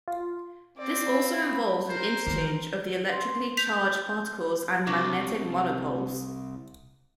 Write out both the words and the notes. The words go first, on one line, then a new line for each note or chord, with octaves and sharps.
This also involves an interchange of the electrically charged particles and magnetic monopoles.
F4
C4 D5
F4 B5
A#4 C5
D#3 E3
C6
G6 B6 F7
C2 C3 D4 F#4 G4